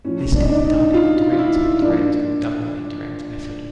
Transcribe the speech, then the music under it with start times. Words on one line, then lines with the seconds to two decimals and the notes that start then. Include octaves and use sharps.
This can be done in a direct, indirect, or double indirect method.
0.05 A2 F3 C#4
0.34 D4
0.42 D#4
0.49 D4
0.65 D#4
0.94 F4
1.32 F4
1.39 E4
1.82 A#2 F3 D4